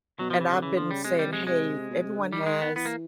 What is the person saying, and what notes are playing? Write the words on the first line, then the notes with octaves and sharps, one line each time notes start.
And I've been saying, "Hey, everyone has
B2 F#3
F3
C3 E3
D3
C#3 E3
D3 F3
C#3 G3
C3 G#3
G3
G#3
C3 G#3
B2
C3
D3
D#3 G3
G#3
B3
E3 B3
A#3